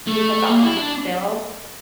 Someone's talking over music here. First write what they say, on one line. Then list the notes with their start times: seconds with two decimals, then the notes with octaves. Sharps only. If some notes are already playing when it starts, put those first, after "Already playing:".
think about them still,
0.07 A3
0.49 A#3
0.63 E4
0.77 D4